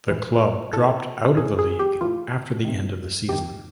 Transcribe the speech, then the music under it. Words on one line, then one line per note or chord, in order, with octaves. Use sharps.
The club dropped out of the league after the end of the season.
A2 E3
A2 E3 A4
A2 E3 G#4
G#4
G4
A2 E3 F4
C3 D#3
C3 D#3 G4